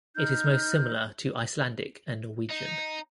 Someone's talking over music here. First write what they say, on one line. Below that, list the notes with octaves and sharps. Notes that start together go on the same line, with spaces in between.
It is most similar to Icelandic and Norwegian.
D#4 F6 G6
D#4